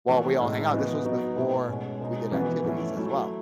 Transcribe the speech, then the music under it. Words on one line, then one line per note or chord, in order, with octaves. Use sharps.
while we all hang out, this was before we did activities as well.
E3 A3 C#4 F#4
A2 G#3 D#4
E3 B3 D#4 F#4
F#3 B3 D#4 F#4
B2 A3 E4
B2 G#3 C#4 F#4
B2 G#3 D#4
E3 B3 F#4
E3 A3 C#4 E4
F#3 A3 E4